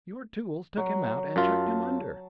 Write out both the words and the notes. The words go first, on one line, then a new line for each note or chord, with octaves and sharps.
Your tools took him out and chucked him under.
F#3
F#2 F4 A5